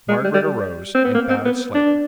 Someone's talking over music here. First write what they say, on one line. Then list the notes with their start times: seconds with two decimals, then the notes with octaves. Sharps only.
Margaret arose and bowed slightly.
0.09 G#3
0.24 G3
0.34 G3
0.95 C4
1.05 B3
1.15 A#3
1.30 C4
1.45 B3
1.74 D4